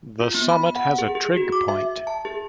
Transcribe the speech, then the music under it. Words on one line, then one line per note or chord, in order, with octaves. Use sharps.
The summit has a trig point.
F4
B3
B5
F#5
G#4
G#4
F#4
D6
E5
A5
G#4